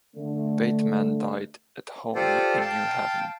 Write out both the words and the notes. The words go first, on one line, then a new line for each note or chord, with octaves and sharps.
Bateman died at home in New Haven.
D3 A3
F4 G4 A4 C5 D5
F5 G5 A5